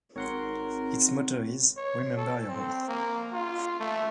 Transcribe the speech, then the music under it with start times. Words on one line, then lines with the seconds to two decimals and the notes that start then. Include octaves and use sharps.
Its motto is "Remember Your Oath".
0.16 G#1 C4 A#4 C#5 F#5 C6
1.77 C#5
2.17 A4
2.48 C4
2.88 A#3
3.32 F4
3.80 A3